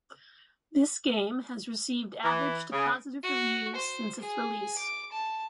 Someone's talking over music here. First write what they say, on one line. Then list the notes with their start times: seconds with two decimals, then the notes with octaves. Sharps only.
This game has received average to positive reviews since its release.
2.23 E3
2.73 C#3
3.23 F#4
3.76 C5
4.20 G#4
4.78 D6
5.12 A5